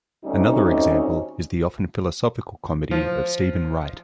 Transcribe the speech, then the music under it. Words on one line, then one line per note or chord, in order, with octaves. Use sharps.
Another example is the often-philosophical comedy of Steven Wright.
D2 G3 C4 C#4 D#4 D#5
F3